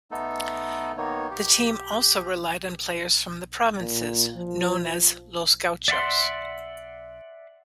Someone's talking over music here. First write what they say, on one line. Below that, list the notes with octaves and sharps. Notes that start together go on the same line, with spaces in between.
The team also relied on players from the provinces, known as "los gauchos".
A3 B3 D#4 A4
D#3 A#3 B3 D#4 C#5
G4
A#2
F3
D5 E5 F#5 C6